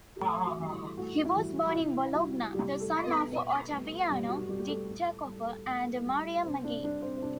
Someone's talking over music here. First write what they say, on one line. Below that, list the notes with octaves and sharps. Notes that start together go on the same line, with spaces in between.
He was born in Bologna, the son of Ottaviano di Jacopo and Maria Maggi.
G4
A2 A3 A4
F#4
E3 G3
E4
A2 F#4
E4
E3 G3 F#4
F#4
C3 E4
G3 F#4
C3 G3 G4
A3 A4
G3
B3 B4
B2 B3 B4
G3 A3 A4
B2 G3 G4
F#4
G3 G4
G4
A3 A4
A2
G3
A2
G3
C3 C4 C5
D4 D5
G3 D4 D5
C4 C5
C5
C3 D4 D5